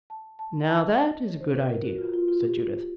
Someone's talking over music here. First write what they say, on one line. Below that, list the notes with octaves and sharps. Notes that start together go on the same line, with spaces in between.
"Now that is a good idea," said Judith.
A5
A5
A5
D#5
C#5
C5
B4
A#4
F#4
F4
F4
F4
G4